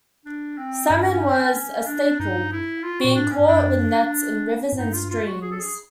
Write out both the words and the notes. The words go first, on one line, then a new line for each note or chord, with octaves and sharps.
Salmon was a staple, being caught with nets in rivers and streams.
D4
C4
G2 C#4
C#4
C#4
C#4
D4
G2 D#4
E4
F4
A#2 F#4
A2 D4
G#2
C#4
G2
F#2 D4
G#2
G2 D#4
F4
F4
F#4
G#4
A4
G#4